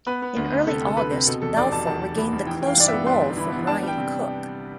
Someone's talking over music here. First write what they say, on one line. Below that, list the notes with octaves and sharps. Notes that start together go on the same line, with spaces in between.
In early August, Balfour regained the closer role from Ryan Cook.
B3 B4
B3
D2
D2
C3 A4
D2
A4
D2 B4
C3
B2 A4
E2 A4
F1 D5
B2 A5
E2 A5
F1
E2 B5
F1
E3 G5
E3 G5
F5
G2 D5
E5
B3
G2 C6
G1
E3 B5
B3
D4 A5
G3 G5
C3